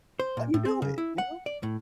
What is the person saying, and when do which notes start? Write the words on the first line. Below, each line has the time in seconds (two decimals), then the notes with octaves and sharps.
"Let me do it, you know?"
0.20 C5
0.37 A#2
0.54 A2
0.65 C4
0.82 C#3
0.98 E4
1.18 F#5
1.46 D5
1.63 A2